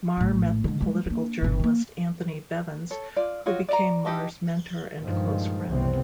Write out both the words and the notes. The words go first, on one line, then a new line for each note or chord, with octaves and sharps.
Marr met the political journalist Anthony Bevins, who became Marr's mentor and close friend.
A#1 A2
D3 G#3
G3 G#3
A#3 D4
G1 B2
D3 A#3
A4 C#5
F4 D5
F4 F#4 C#5 D#5
D5 D#5 A#5
D#4 G4 D#5 A5
G2 A#2 D#3 F3 G#3
F#1 C2 C3 B3 C4